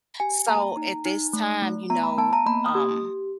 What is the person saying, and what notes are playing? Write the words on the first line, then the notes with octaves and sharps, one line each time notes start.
So, at this time, you know, um,
G4 G#5
A#3 A#5
D#4
D#4
A3
A3
B3 A#5
B5
B3 A5
A#5
A#3 B5
D#6
G4